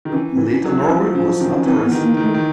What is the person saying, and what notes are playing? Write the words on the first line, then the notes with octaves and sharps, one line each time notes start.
Melita Norwood was not arrested.
D#3
E3 C#4
C4
E3
C#4
F#3
C4
F3 C#4
F3 C#4
D#3 C#4
C#4
E3 C4
B3
D#3
A#3
D#3
A3
D#3